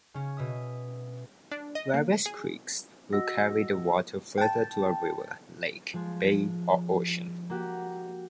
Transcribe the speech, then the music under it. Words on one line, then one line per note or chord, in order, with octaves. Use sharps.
Various creeks will carry the water further to a river, lake, bay, or ocean.
C#3 C#4
B2 E5 D#6
D4
D#5
A#3
G#4
F#4 D#5 F#5 E6 A#6
G5 A5
F3 G#3
A#3 F#4 G4